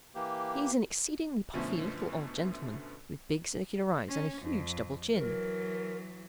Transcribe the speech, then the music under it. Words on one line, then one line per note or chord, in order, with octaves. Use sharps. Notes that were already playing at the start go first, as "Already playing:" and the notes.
He is an exceedingly puffy little old gentleman, with big circular eyes and a huge double chin.
E3 A#3 G4
F#2 B2 D3 F3 A3 C#4
C#4
F2
E3 F#3 A#4